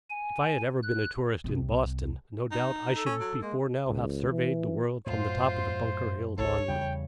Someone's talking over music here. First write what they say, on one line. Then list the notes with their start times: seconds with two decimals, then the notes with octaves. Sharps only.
If I had ever been a tourist in Boston, no doubt I should before now have surveyed the world from the top of the Bunker Hill monument.
0.10 G#5
0.82 F#6
1.44 C2 C3
2.52 D#4
2.94 A4
3.06 C#4
3.20 F#3
3.42 G#3 A#3
3.88 C#2
4.30 E3
5.07 F#2 A2 F4 C5
6.38 G#1 C#2 G#2 A4 C#5
6.68 E2 C#3 G3 G5